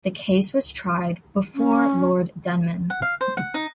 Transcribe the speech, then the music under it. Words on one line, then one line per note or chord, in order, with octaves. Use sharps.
The case was tried before Lord Denman.
C#4
F#5
F5
C5
F#5
D#4